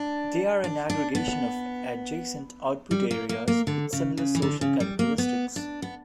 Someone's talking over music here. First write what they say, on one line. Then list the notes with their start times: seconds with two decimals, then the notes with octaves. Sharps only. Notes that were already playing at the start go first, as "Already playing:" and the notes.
They are an aggregation of adjacent Output Areas with similar social characteristics.
Already playing: D4
0.64 D4
0.90 D4
1.15 B3
2.91 G3
3.11 A#3
3.29 A#3
3.48 A#3
3.67 D3
3.93 C#3
4.17 C#3
4.35 E3
4.42 D3
4.61 C#3
4.80 G3
4.99 A#3
5.18 B3
5.56 D4
5.82 B3